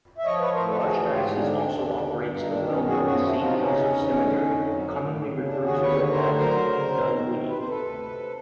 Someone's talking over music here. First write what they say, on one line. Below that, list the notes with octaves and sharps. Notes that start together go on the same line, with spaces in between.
The Archdiocese also operates the well-known Saint Joseph's Seminary, commonly referred to as Dunwoodie.
E5
F3 C#5 D#5
B4 C#5
A2 A#4 C5
A4 B4
E3 F#4 G#4
G#2 F4 G4
D3 D4
D#2
D3
G2
D#4
D#3 D4
C#4 D#4
F#2
F#4 G#4
F3 F#4 G#4
E4 F#4
C3
D#4 F4
D4
C#3 C#4 D#4
E2
D3
F2
F#3
A2
C#3
D4
D#2
F#4 G#4
D3 B4 C#5
D2 A#4 C5
F#3 A#4 C5
C#3
D#3
C3
C3 B4
C5
A4 B4
D2
C3